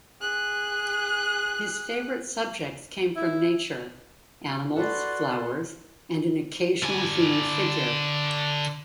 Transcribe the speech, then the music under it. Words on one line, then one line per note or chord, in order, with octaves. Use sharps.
His favorite subjects came from nature: animals, flowers, and an occasional human figure.
G#4 F#6
E4
F#4 A4 B4 D5 F#5 C6
D3 G#5